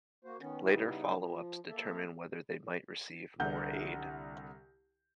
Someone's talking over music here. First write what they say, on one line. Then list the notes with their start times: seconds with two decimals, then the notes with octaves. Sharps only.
Later follow-ups determine whether they might receive more aid.
0.25 A#3 F#4 C5
0.40 D#3 B3 C#4
0.63 C#3 G3 B3 D#4 E4
1.17 F3
1.69 A#3 A4 E5
3.40 C2 D3 F#5 G6